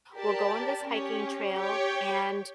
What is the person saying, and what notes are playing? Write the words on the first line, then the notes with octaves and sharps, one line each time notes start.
we'll go on this hiking trail, and
G4 A#4 D5 A5
C#4 G4 C#5
G4 C#5 G5